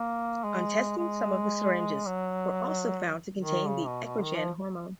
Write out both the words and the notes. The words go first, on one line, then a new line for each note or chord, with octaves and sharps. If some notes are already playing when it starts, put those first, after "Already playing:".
On testing some of the syringes were also found to contain the EquiGen hormone.
Already playing: A#3
G#3
G#3
F#3
D#3
C#3
B2
B2
D#3
F3